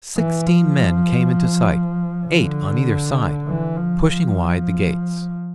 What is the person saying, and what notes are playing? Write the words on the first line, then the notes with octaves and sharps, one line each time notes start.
Sixteen men came into sight, eight on either side, pushing wide the gates.
E3
F3
D3
E3
F3
F3